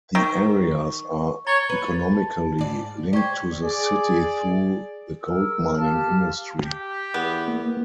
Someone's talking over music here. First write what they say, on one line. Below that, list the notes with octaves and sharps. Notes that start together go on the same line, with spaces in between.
The areas are economically linked to the city through the gold mining industry.
D#3 C#6
C#5 A#5 A6 G7
B4
A6
A5
G#2 D5
G4 C5 D5 C#6 G#6
G#4 D5
G#4 A#4 E6
G4 F5 A5 F6
G4
E2 B3
A#3